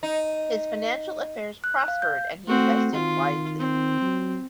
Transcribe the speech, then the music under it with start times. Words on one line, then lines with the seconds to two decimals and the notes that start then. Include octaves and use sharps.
His financial affairs prospered, and he invested widely.
0.03 D#4
1.64 F#6
1.88 F5
2.02 G6
2.48 A3 C4 F#4
2.93 D#3 F4
3.60 C4
4.02 F#3